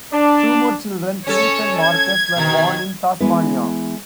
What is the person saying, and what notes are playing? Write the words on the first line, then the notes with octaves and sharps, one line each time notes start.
Two more children, Kate and Marcus, were born in Tasmania.
D4
C#4 A4 C#5
G#6
B2 D#3
E3 G#3 B3 E4 B4